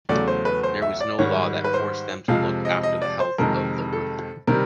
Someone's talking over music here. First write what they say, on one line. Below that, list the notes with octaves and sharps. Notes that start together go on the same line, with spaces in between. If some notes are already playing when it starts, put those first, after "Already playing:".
There was no law that forced them to look after the health of the worker.
E2 C#3 F#3 A3 D5
C5
B4
C5
E5
D5
G#2 D#3 G3 C#5
B4
C5
F2 C3 F3 G#3 F5
D#5
D#5
D5
C5
F2 C3 D#3 G#3 A#4
A4
C3 D#3 G3 A#4